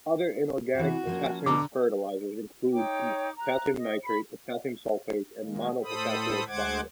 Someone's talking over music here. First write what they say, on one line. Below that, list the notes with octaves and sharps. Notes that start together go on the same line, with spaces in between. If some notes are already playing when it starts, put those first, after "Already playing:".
Other inorganic potassium fertilizers include potassium nitrate, potassium sulfate, and monopotassium phosphate.
C3 E3 F#4
F3 A#3 C#4
B2 D3 A#5 D6
D#4 C#5 G5 D6
A#5 F#6
D#5
B5
D#3 G#3 A#3
A2 A4 C5 B5 D#6
D2 G#3 C5 F#5 D6 G#6